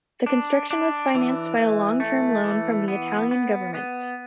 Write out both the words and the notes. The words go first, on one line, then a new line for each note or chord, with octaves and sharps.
The construction was financed by a long term loan from the Italian government.
D4
D4
E3
E3
A3
E3
B3
B3
B3